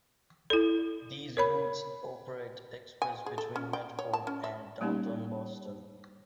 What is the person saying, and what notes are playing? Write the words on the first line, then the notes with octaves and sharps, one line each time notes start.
These routes operate express between Medford and downtown Boston.
E4 A4
A#4 C#5 B5
G#5
G#4
A4
C#4
G5
C#5
A5
C#4
E5
G3 A3 A#3 C#4 D#4 G4